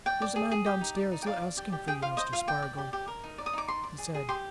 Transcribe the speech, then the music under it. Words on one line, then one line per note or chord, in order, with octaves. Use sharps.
"There's a man downstairs asking for you, Mr. Spargo," he said.
D5 G5
D5
G#4
G#4
G4
D#4
D5
D#4
G5
D5 F5
D5
G4
G4
G#4 G5
F4 F5
C5 D#5
F4 F5
D5 G5
D5
G4
G4
A#4
D#4
D5
D#6
D#4 D6
D5 C6
D5
G#4
G#4
G4 C6